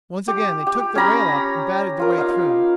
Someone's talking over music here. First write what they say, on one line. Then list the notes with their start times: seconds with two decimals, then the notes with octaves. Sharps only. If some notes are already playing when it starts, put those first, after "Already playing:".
Once again they took the rail up and battered their way through.
0.28 G4
0.67 G4
0.95 C#4 C#5 A#5 B5
1.99 F4 A#4
2.18 D#4 F5